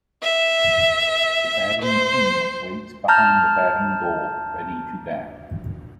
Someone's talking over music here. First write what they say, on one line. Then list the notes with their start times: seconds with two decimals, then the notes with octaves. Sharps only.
The batting team waits behind the batting goal ready to bat.
0.23 E5
1.82 C5
3.08 A5 A#5 F6 G6